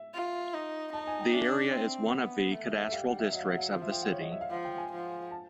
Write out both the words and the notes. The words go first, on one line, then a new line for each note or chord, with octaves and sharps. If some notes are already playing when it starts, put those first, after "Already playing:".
The area is one of the cadastral districts of the city.
Already playing: E5
F4
D#4
D#4 A5
G#5
G5
D4 E5
C4
B3
A3
E5
G3 F5
F#5
E5
F#3 D#5
F5
E5
F5
F3 F5
E5
G5
F#5
C#5
D#5
E5
F5
F3 F#5
G5
G#5
F3
A5